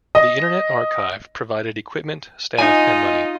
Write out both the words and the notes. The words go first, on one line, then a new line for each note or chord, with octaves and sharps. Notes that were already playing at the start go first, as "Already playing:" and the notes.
The Internet Archive provided equipment, staff and money.
D#5
D#4 F4 D#5 G#5